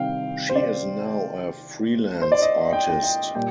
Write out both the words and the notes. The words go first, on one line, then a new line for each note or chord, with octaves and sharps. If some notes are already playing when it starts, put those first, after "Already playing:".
She is now a freelance artist.
Already playing: C3 D#3 G3 C4 F5 G5
C5
D5
C5
D5
D#5
G5
G5
G5
A#2 G3 G5